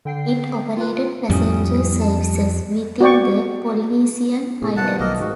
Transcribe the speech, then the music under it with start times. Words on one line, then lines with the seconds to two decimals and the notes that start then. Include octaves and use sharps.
It operated passenger services within the Polynesian islands.
0.05 D3 G5 C7
0.77 F4 B4
1.30 F2 A2 G3 C#4 D#6
2.01 A5
3.01 F#4 D5 G5 C#6
4.62 A2 C3 G#4
4.77 B2 D#3 F3 A3 B3 F#5 A5
5.00 B1 A#3 A#4 D#5
5.20 G#2 F#4